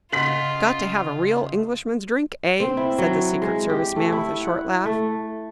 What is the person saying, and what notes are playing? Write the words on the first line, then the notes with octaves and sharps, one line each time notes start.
"Got to have a real Englishman's drink, eh?" said the secret service man, with a short laugh.
C#3 F4 D#5 F#5 C6 B6 F#7
C4
E4
F#3
G#3
G4
A3
E4
F#5
A3